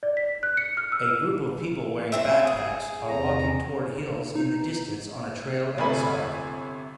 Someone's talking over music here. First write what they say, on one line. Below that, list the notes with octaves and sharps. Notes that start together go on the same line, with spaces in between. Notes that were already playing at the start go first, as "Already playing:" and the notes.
A group of people wearing backpacks are walking toward hills in the distance on a trail outside.
D5
B6
F#6
C#7
F6
E6
F#3 C4 E5
G#4
E2 C3 A#5
D#4
G1 C3 A3 G#5 B5